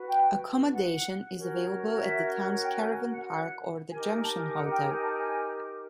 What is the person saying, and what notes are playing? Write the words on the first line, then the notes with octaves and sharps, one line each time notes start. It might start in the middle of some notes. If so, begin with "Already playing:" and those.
Accommodation is available at the town's caravan park or the Junction Hotel.
Already playing: F#4 B4
G5
F#5
C#4 F#4 A#4 C#5
E5
G5
G#5
F#5
F#5
D#4 G4 A#4 G#5
G#5
A5
G#5
F#5
G5
G#5
A5
G#5